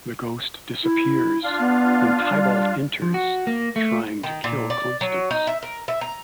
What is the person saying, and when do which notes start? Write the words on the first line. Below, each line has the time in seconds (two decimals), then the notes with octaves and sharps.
The ghost disappears, and Tybalt enters, trying to kill Constance.
0.84 E4
1.44 D4 F4 F5
1.59 B3
2.30 G3
3.02 F3
3.14 F#4
3.47 A#3
3.76 A3
4.23 D#3
4.44 A#2
4.70 D5
5.01 F#3
5.31 D#4
5.47 E5
5.63 A#4
5.88 E5
6.01 A#5